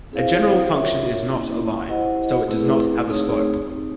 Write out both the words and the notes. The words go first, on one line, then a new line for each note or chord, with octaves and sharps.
A general function is not a line, so it does not have a slope.
C4 E4 G#4 C5 F5
D4 F4 A#4 C#5 E5
A#3 C#4 E4
E4 G4 C5 D#5 F#5
A3 C4 E4 G#4 B4
A3 C4 D#4 G#4 C#5
C4 D#4 G4